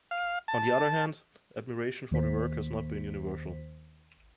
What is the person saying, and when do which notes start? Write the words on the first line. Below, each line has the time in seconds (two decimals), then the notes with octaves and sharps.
On the other hand, admiration for the work has not been universal.
0.11 F5
0.48 A5
2.11 D#2 D#3 A#3 C5 B6